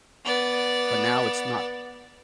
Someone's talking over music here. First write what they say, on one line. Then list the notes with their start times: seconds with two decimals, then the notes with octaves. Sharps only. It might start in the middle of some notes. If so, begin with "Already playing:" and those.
but now it's not
0.25 B3 D5